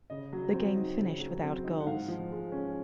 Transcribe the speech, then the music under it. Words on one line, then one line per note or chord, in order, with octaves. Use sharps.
The game finished without goals.
C#3 D#5
F#3
C4
D#4
C#3
F#3
C4
D#4
F#5
G#2 F5
F3
G#3
C#4